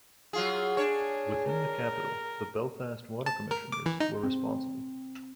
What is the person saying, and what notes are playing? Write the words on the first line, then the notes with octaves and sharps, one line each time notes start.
Within the capital, the Belfast Water Commissioners were responsible.
F#3 F4 G#4
D4 G#4 C#5
A#4
A5
A#4
D6
E3
D#4
C4